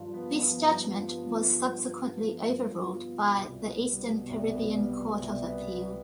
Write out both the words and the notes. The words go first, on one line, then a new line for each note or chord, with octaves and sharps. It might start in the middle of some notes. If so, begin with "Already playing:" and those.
This judgement was subsequently over-ruled by the Eastern Caribbean Court of Appeal.
Already playing: G2 F3 F4
B3
F3
G2
F4
B3
F3
G2
F4
B3
F3
G2
F4
B3
B2
C2
B3
G3
B2
C2
B3
G3
B2
C2
B3